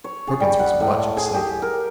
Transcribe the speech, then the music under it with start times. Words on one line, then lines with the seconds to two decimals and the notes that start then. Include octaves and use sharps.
Perkins was much excited.
0.04 C#5
0.27 G#4
0.40 G3
0.59 F#5
0.80 A2
1.17 G#4
1.34 G4
1.62 A#4